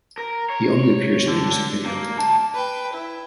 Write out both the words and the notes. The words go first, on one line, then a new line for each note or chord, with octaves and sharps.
He only appears in the music video.
A#4
C#5
D3
A#3
D2 A5
B4 G5
E4